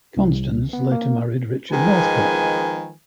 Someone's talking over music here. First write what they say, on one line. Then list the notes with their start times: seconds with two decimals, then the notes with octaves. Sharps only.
Constance later married Richard Northcott.
0.17 C2
0.73 B3
0.92 A#3
1.71 D#3 F3 G#3 B4 G#5